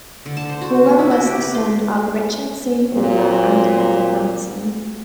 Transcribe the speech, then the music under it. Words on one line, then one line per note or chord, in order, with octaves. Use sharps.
Brewer was the son of Richard C. Brewer and Emma Hanson.
D3
A5
C5
F#4
A#3
E4
F#4
G4
B4
C6
A#2 F#3 C4